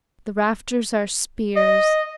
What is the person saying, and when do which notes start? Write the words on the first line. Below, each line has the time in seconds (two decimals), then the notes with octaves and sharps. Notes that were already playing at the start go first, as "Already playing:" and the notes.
The rafters are spears.
1.56 D#5